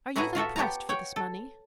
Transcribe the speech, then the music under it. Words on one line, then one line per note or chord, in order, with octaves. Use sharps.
"Are you then pressed for this money?"
A2 E4 F#4 G#4 B4 A#5
F4 F#4 A4 E5
B3 G4 C#5 A5 A#5
C#5 F#5 G5
A4